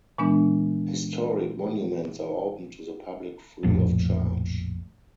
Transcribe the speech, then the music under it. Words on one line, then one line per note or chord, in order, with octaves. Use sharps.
Historic monuments are open to the public free of charge.
A#2 E3 G#3 B3 D4
A#1 F2 A2